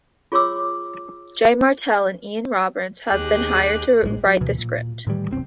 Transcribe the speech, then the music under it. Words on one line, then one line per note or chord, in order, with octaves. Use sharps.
Jay Martel and Ian Roberts have been hired to write the script.
F4 G#4 C#5 C6 D6 E6
D#2 G4 G#4 F#6
A#1 A2 D#3 G#3
F#3
D2 B2 E3
A#2
A2 D#3 E3 G3
F1 B1 C4